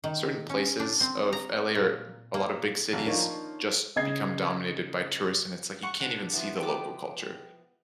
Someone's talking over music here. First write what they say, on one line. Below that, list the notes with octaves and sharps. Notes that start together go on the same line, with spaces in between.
certain places of LA, or m a lot of big cities, just become dominated by tourists, and it's like you can't even see the local culture,
D#3
C#4
D4
C4
A#5
A#2
A#3
G#1
F3 A#3 D4 D#4 C#5
C#3 D#5 G#6 C7
F#5 C#6
D4 F#5
F3 B3 E4
G5 D6